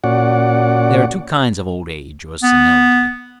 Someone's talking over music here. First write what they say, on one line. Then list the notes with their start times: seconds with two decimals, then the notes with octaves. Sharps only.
There are two kinds of old age or senility.
0.04 A#2 C#4 F#4 D5 F#5
2.44 B3